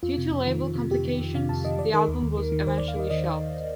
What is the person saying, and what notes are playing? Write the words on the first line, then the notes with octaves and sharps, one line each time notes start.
Due to label complications, the album was eventually shelved.
F2 F4
C3
F2
D#3
F2
C3
F2 G4
D#3
F2
C3 F5
F2 A5
D#3 D#5
D#3 D5
D#3 A#4
D#2
D#2
D#3
D#3
D#2 C5
D5
D#2
F5
D#3 D#5
D#3 D#5